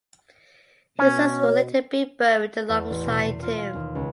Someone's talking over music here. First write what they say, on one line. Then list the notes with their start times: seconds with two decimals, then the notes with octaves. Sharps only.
His sons would later be buried alongside him.
0.99 B2 C#4
1.40 C#5
2.69 E2
2.90 A1
3.06 B2
3.23 C7
3.43 F4
3.57 F5
3.75 D#2
3.95 C#2